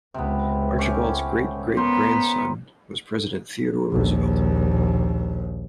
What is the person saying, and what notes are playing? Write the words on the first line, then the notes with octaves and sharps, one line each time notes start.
Archibald's great-great-grandson was President Theodore Roosevelt.
C#2 C3 B3
A3 C#4 G4
B3 A#4 C5
A#1 D#2